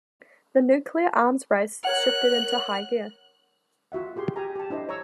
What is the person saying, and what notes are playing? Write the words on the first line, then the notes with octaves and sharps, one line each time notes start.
The nuclear arms race shifted into high gear.
A#4 C#5 F#5 F#6
F4 F#4 E5 F#5
F4 G4 G#4 C6
G4 G#5 A#5
G4 A5
D4 E4 C5 D#5
C#5 A#5 C#6 E6